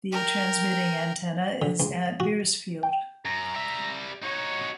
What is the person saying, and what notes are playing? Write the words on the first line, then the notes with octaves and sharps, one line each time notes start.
The transmitting antenna is at Beresfield.
A#4 G5
D3
C#2
F#4
G5
F#2 A#5
G3 E5
D#4 F#4 C#5